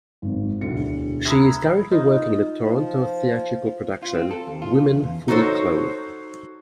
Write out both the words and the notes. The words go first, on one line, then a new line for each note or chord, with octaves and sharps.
She is currently working in the Toronto theatrical production, Women Fully Clothed.
G#1 G#2
E1 D2 C#7
A#5 B5 D#6 E6 G#6
D#4 F4
F3
F4
C4
A4
D#2
F4
C#3
E2
D#4 F#4 A4 C5 C#5